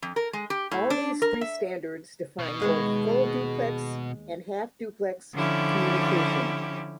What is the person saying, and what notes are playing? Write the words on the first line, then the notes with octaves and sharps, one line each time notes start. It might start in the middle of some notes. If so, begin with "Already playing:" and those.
All these three standards define both full-duplex and half-duplex communication.
F2
A#4
G#3
G4
A2
D4
A#4
E5
B2
D#2 G#3 B3
D3 F3 C#4 E4 G4